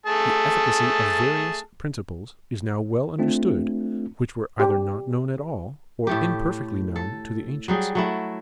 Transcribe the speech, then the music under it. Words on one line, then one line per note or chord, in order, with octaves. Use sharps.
The efficacy of various principles is now well understood, which were either not known at all, or imperfectly known to the ancients.
A3 G#4 A5
A3 C4 D4 F4
G4
A2 A3 G4
A4
F#3 G3 G#4
F#3 A3 E4